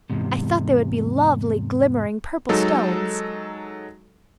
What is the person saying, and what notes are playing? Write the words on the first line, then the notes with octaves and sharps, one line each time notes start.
I thought they would be lovely glimmering purple stones.
E2 G#2 C3
F#3 G#3 D#4 A4